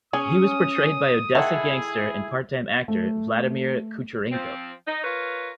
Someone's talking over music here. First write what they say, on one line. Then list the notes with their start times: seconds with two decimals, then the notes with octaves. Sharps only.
He was portrayed by Odessa gangster and part-time actor Vladimir Kucherenko.
0.13 C#4 G#4 D#6
1.35 D#3 E4 G#4 A4 F#5
2.88 A3
4.32 F3 C4
4.86 D#4
5.04 F4 A#4 B4 C#5